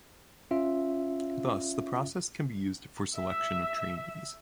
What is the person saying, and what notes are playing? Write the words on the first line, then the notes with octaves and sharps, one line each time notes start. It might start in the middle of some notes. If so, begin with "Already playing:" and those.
Thus, the process can be used for selection of trainees.
C#4 F4 E5
E5